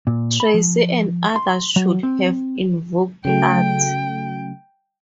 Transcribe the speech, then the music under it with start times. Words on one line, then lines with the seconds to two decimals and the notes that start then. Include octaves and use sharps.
Tracey and others should have invoked Art.
0.07 A#2
0.40 B5
0.54 F3
1.36 C6
1.76 F#3
2.03 C4
3.25 C#3 F#3 A3 G5